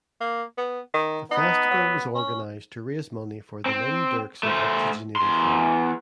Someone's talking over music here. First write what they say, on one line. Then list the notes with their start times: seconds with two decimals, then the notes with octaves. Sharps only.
The festival was organized to raise money for the Lynne Derksen Oxygenator Fund.
0.20 A#3
0.57 B3
0.94 D#3
1.31 B3 D#4
1.71 F#3
2.15 C#4
3.66 C4
4.43 A3 C5
5.16 E2 C6